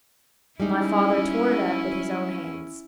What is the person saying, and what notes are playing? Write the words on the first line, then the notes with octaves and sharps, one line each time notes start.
My father tore it up with his own hands.
G3 G#3 C#4 D#4 E4